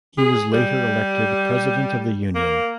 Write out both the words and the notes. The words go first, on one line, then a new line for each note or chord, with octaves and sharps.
He was later elected president of the Union.
G#4
G3
A#3